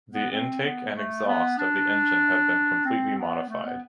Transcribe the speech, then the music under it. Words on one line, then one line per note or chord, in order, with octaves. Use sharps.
The intake and exhaust of the engine have been completely modified.
B3
C4
B3
A3
B3
D4
C4
B3
A3
B3